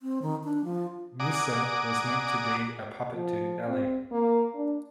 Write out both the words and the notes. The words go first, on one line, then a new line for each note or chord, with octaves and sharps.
Musa was meant to be a puppet to 'Ali.
C4
D#3
D4
F3
D5 F#5 G#5 A#5 D6 D#6
F3
C4
A#3
D4